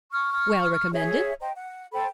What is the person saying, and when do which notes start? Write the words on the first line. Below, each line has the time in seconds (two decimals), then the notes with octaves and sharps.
"Well recommended?"
0.12 C#6 F6
0.92 G#4 C#5 E5
1.40 C5 D#5 G5 A#5
1.55 F#5
1.93 A4 C5 G5 B5